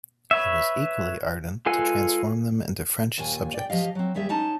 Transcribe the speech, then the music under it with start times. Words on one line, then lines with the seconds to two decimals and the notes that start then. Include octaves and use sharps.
He was equally ardent to transform them into French subjects.
0.31 B4 C#5 E5
1.66 G#3 F4 A4 B4 G#5
3.18 D#2 A#2 G#5
3.54 D5 G5
3.70 F3 G4 D#5 F5
3.95 F#3 C4
4.14 D#2 G3 G4 G#4 E5
4.29 C#4 D#4 A5